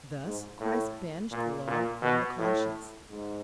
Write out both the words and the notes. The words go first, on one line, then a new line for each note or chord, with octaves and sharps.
Thus Christ banished the Law from the conscience.
G#2
A2
A#2
A#2
B2
A2
G#2